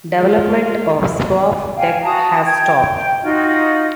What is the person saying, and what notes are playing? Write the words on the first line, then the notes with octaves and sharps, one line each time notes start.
Development of Swfdec has stopped.
G#3 F4
F5 G5 G#5
F#4 A5 A#5 D#6
G5 G#6
G5
D#4 F4 F#4